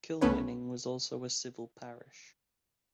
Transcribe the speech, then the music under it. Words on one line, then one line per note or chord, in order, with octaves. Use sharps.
Kilwinning was also a Civil Parish.
C2 A3 B3 C#4 B4 C#5